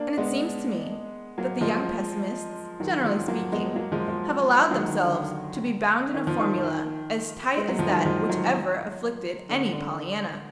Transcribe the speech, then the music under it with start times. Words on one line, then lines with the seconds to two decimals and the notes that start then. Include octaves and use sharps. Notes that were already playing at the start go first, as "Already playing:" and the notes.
And it seems to me that the young pessimists, generally speaking, have allowed themselves to be bound in a formula as tight as that which ever afflicted any Pollyanna.
Already playing: A#3 D4
0.18 G#3 B3
1.38 F#3 A#3
1.61 F3 G#3
2.80 D#3 F#3
3.04 F3 G#3
3.28 F#3 A#3
3.52 G#3 B3
3.75 F#3 A#3
3.92 F3 G#3
4.08 F3 G#3
4.71 D#3 F#3
4.88 D#3
5.03 D3
6.14 D#3
6.27 F3
6.39 D#3
6.63 D#3
7.57 G#3
7.68 F#3
7.79 F3
7.89 D#3 F#3
8.06 F3 G#3
8.29 D#3 F#3
9.49 D3
9.73 D3